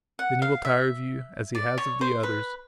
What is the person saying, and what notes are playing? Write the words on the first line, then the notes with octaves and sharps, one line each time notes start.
Then he will tire of you as he has of the others.
F#5
F5
E5
D5
C#5
C5
B4